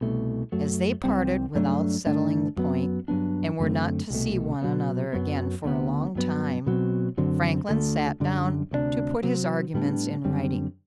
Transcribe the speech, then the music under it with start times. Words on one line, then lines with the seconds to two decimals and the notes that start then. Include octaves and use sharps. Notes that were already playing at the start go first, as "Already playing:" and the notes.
As they parted without settling the point, and were not to see one another again for a long time, Franklin sat down to put his arguments in writing.
0.01 C2 B2 A3
0.52 F#2 F#3 A3
1.04 C2 C3 G3 C4
1.55 G2 F#3 A3 D4
2.06 G2 D3 A3 D4
2.56 F#2 F#3 B3
3.08 G2 F#3 B3 D4
3.59 F#2 D3 A3 C4
4.10 C2 B2 A3
4.62 B2 F#3 B3
5.13 F#2 F#3 B3
5.64 D2 D3 G3 B3
6.15 G2 F#3 B3
6.66 B2 F#3 C4
7.17 F#2 D3 F#3 C4
7.69 D2 D3 A3
8.20 F#2 D3 G3
8.71 D2 C3 G3 D4
9.23 C3 F#3 C4
9.74 A2 G3 B3 D4
10.25 F#2 D3 G3 C4